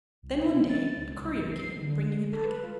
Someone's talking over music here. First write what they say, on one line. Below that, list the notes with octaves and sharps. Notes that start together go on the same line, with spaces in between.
Then one day a courier came, bringing a packet.
C2
B2
A6
C#2
C2
G1
C7
D3
A4
B4
F4